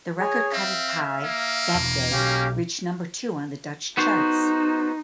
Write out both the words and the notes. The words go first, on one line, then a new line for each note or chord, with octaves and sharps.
The record cut at Pye, "That Day", reached number two on the Dutch charts.
G#4 C#5 G#5
C4 E5 F5
A#3
E1
B1 C#4 G4 F5
B3 D#4 F#4 C5